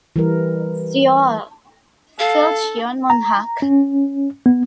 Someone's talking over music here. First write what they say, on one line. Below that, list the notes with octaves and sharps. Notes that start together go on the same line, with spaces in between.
Seoul: Silcheon Munhak.
E3 G3 A#4
A4 F5
A#5
C#4
B3